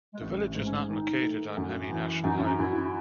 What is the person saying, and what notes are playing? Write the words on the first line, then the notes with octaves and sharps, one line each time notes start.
The village is not located on any national highway.
G#3
A1 A3
A3
G#2
C#4
D#3 D#4
A3
F#2
E3
F#2 D#4
C#4
D#4
F#2 E4
E4